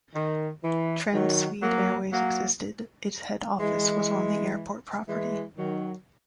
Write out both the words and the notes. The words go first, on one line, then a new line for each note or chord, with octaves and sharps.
Transwede Airways existed, its head office was on the airport property.
D#3
E3
D#3 F#3
F#3 A#3
F#3 A#3
E3 G#3
E3 G#3
D#3 F#3